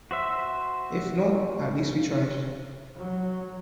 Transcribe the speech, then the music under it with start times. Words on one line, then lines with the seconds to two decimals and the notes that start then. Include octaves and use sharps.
If not, at least we tried.
0.11 F#4 C5 E5
2.96 F#3